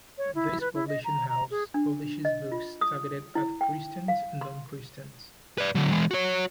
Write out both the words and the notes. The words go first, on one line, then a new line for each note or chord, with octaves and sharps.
This publishing house publishes books targeted at Christians and non-Christians.
C#5
E4
B4
E4
D#5
A#5
A#5
G#4
D4
D#5
F4
D#6
E4
G5
F5
C6
B4 D5
D3 F#3
E3 G#3
F#4 C#5